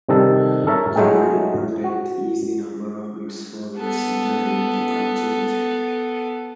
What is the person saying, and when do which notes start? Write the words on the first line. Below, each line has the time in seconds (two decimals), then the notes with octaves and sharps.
Generally "run-length" is the number of bits for which signal remains unchanged.
0.08 C3 D#3 G3 D#4 A4
0.67 A4 A#4 C#5 E5
0.96 F#3 G#3 A3 D#4 G#4 G5
1.84 F#4
3.77 B3 A4